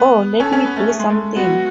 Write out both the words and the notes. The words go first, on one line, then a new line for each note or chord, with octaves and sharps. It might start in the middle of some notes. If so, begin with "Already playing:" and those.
Oh, let me do something!
Already playing: B3
C#4 A4
C#4
B3
A3
A3 G#4
G#3
A3
B3 F#4